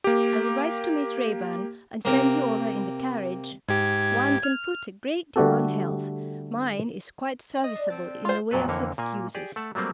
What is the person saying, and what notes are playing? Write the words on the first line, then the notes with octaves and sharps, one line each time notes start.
I will write to Miss Raeburn and send you over in the carriage. One can put a great deal on health--mine is quite serviceable in the way of excuses.
A#3 G4
C3 A#3
G#2 G4 G#6
F6
D3 G3 A3 F#4 G4 A4
D#5
D4
D3 C4 A5
F4 C5 C6
F2 A#2 F#3 A4 B4
F2 D3 E3 A#3 C#5
A#2 A#3 G#5
G4 G#4 D5
A3 F#5 A5
F#3 G3 A3 A#3 C4